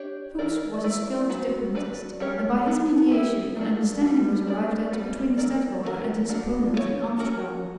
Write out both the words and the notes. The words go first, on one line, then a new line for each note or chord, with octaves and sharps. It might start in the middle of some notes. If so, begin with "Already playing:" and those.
Fuchs was a skilled diplomatist, and by his mediation an understanding was arrived at between the stadholder and his opponents in Amsterdam.
Already playing: D4 G4 C#5
E3 B3 D4 A#4 D5
A#3 E4 B4 D5
F#3 B3 F#4 B4
D4 F#4 B4 D5
G3 C#4 G4 A#4 C#5
F#3 B3 D4 A#4
B3 E4 G4
F#3 A#3 D4
G3 B3 F#4
D4 A#4 D5
G3 B3 F#4 B4 D5
E3 B3 D4 A#4 D5
E3 B3 D4 A#4
A#3 D4 F#4
B3 F#4 C#5
C#4 F#4 A#4 C#5